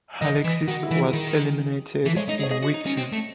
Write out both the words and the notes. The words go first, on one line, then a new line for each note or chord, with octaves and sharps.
Alexis was eliminated in week two.
D#3 D#5
E3
D#3 F#4
E4
E3
G#4
D#3
E3 A4
G#3 C#5
D#4 D#5
G#4
C#5
G#4 D#5
F#4
D#4
C#4
C4
A3